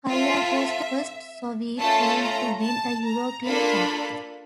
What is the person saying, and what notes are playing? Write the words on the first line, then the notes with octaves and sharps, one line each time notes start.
Kairat was the first Soviet Team to win a European cup.
C4 F4 A4 E5
A3 C#4 F4 A4 A5
A#5
A5
A#5
A#3 D4 F4 A4 B5